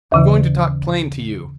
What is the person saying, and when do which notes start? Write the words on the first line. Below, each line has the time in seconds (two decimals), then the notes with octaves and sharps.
I'm going to talk plain to you.
0.12 D#2 C#3 E3